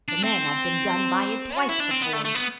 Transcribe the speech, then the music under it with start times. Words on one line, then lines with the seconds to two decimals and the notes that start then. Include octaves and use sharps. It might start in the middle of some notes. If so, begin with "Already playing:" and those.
The men have been done by it twice before.
0.08 D4
0.24 C4
1.57 F#4
1.69 E4
1.80 D4
1.91 C4
2.02 B3
2.13 A3
2.25 A3
2.35 B3